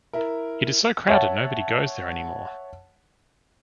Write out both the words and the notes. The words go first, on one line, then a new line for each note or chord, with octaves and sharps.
It's so crowded nobody goes there anymore.
E4 A#4
C#5 E5 F#5 A5